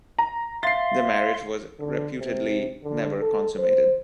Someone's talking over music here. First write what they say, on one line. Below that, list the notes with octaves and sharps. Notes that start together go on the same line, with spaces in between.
The marriage was reputedly never consummated.
A#5
E5 F5 C6 A6 C7
D3
C3
D3
A4
C5